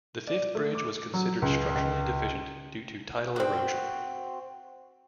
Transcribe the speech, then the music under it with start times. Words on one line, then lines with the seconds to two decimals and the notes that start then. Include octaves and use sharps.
The fifth bridge was considered structurally deficient due to tidal erosion.
0.27 D5
0.55 A3
0.75 D6
1.14 F#3
1.42 C#2
1.75 C#2
3.36 C4 F#4